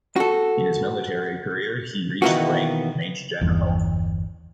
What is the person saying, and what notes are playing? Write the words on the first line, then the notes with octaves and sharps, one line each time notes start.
In his military career he reached a rank of major-general.
F#4 A4
B2 D#3 E3 A#3 B3 F#4
G1 E2